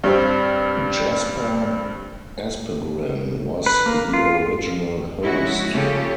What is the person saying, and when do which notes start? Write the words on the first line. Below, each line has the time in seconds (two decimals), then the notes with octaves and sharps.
Jesper Aspegren was the original host.
0.04 G2 G3 C4
3.66 B4
3.86 A#3
4.13 F4
5.23 F3 G#3 C#4 D#4 E4 F#4
5.71 C#3 A#3 C#4 F4 G4 A4